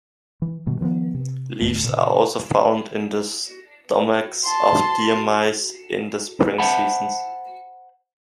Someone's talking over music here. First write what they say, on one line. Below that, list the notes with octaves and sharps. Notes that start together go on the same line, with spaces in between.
Leaves are also found in the stomachs of deer mice in the spring seasons.
E3
G2 B2 D#3
D#3 F3 G#3 B3
C3
D#1 D2 G#2 A3
A#2 C#3
A5 C6
C5 E5 F#5 A5 B5